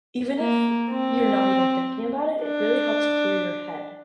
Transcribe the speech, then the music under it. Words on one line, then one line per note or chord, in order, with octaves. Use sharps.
even if you're not even thinking about it, it really helps clear your head,
A#3
C4
D4